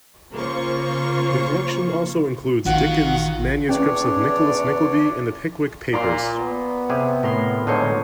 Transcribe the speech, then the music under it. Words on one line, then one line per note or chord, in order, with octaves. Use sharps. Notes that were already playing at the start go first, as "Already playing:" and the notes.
The collection also includes Dickens' manuscripts of "Nicholas Nickleby" and the "Pickwick Papers".
C#3 A#3 F4 C5 C#6
A1 D#3 F4 F#4 F#5
E2 C#4 D4 C#5 D5
A#2 D5 A#5 C6
B3
C3 G4 G#4
A2 A#4 C6
A#2 D3 G#3 D#4 C5 C#5